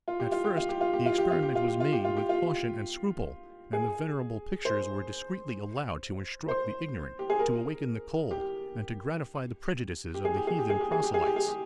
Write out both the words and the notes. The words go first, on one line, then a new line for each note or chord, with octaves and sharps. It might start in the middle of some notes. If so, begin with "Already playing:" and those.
At first, the experiment was made with caution and scruple; and the venerable pictures were discreetly allowed to instruct the ignorant, to awaken the cold, and to gratify the prejudices of the heathen proselytes.
F4
G4
F4
G4
F4
G4
F4
G4
F4
G4
F4
G4
F4
G4
F4
G4
F4
G4
F4
G#4
C5
C5
G4
G#4
A#4
G4
G4
G#4
G4
G#4
G4
G#4
G4
G#4
G4
G#4
G4
G#4
G4